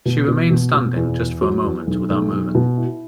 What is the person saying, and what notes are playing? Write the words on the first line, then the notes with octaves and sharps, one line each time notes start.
She remained standing just for a moment without moving.
B2
B2
B2
B2
E2
E2
F#3
E2
B1
B1
B1
B2
E4